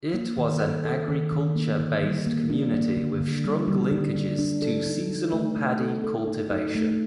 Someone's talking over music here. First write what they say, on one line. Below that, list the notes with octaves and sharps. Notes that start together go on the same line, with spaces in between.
It was an agriculture-based community with strong linkages to seasonal Paddy cultivation.
A#3
D#3
A4
A4
D#3
D#3
A#3
D3
G3
A#3
D4
A#3
D3
D3
G3
G3
D3
D4
D4
A4
D#4
D#4
A3
A3
A4
A4
D#4
D#4
A3